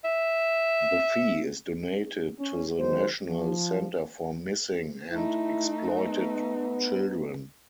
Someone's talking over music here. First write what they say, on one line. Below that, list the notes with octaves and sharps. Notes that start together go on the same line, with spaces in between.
The fee is donated to the National Center for Missing and Exploited Children.
E5
C#4
F#1 D#3 F#3 G#3 C5
F3
A3 D#4 E4
B3